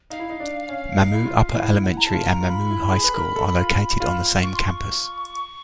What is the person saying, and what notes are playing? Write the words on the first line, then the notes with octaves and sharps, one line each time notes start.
Mamou Upper Elementary and Mamou High School are located on the same campus.
D#4 F5
E4
D#4
D4
C#4
D#4
E4
F4
E4
E4 F#5
A#5
E4 A5
F4
A#5
F4
B5
E4
G#4
B4
A#4
A4
F4
F4
C#6
C6
C#6